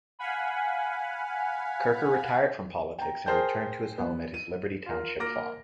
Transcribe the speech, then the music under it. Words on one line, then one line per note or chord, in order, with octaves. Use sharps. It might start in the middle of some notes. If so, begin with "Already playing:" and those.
Kirker retired from politics, and returned to his home at his Liberty Township farm.
F5 F#5 G#5 B5
G5 A#5
G#4 A#4 C5 G5 A5 G6
B3
D#7
F4 A#4
A#3 A#4 D6 A#6 D7